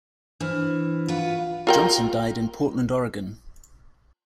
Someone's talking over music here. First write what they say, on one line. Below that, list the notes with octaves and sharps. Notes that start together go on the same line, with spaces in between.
Johnson died in Portland, Oregon.
E3 D4 C5 F6
F4 F#4 B4
F4 A#4 G5